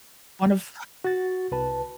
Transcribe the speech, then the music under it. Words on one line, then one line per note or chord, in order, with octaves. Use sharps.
One of
F#4 A6
C2 B4 A5